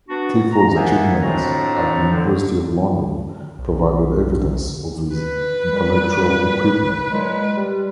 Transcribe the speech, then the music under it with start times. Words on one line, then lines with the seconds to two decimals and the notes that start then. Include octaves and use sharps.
Clifford's achievements at the University of London provided evidence of his intellectual equipment.
0.09 B3 D4 F#4
0.52 A#5
0.76 A#3 B3 C#4 D4 C5 E5
1.23 F2 A2 C4 D4 F#4 A#5
2.13 D3
3.58 B1
5.15 B4
5.70 A#2 E3 G3
7.10 A#2 F#3 G#3
7.55 G3